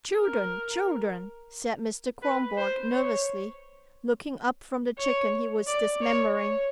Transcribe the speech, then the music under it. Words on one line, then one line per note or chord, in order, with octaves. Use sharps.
"Children, children!" said Mr. Kronborg nervously, looking up from the chicken he was dismembering.
A#4
B4
C5
C#5
C#5
D5
C#5
C#5